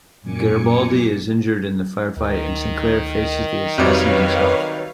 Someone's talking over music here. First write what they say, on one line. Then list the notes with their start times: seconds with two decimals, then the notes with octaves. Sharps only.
Garibaldi is injured in the firefight and Sinclair faces the assassin himself.
0.22 F#2 A#2 G#5 D6 C#7
2.16 D2 D#3
3.78 F2 C3 F#3 G3 B4 C#5 F5